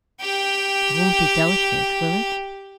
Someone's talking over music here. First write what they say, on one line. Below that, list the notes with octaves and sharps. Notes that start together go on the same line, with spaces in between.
"It won't be delicate, will it?"
G4 G5